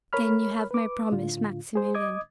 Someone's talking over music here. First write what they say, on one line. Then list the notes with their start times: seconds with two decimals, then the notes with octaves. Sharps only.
"Then you have my promise, Maximilian."
0.13 A#4 C#5 B5 F6
0.71 B4 D6
1.12 A2 D3 F4
1.75 G#4 C5
1.95 D#5 D6 D#6 G#6